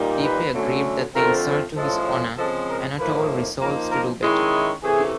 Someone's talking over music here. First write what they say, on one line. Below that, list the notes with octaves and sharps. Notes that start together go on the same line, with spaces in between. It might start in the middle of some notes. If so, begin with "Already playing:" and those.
Deeply aggrieved at the insult to his honor, Anatole resolves to do better.
Already playing: A#2 G3 A#3 D#4
B4
D3 F#3 A3 C#4
D3 F3 A3 C4 F4 A#4
A2 F3 G#3 C#4 F4 A4
C#3 F3 G#3 C4 A4
A#4
A2 F3 A#3 D#4 B4
F3 A#3 D#4 A#4
A#4
D#3 G#3 C#4 E4
C3 E3 A3 G#4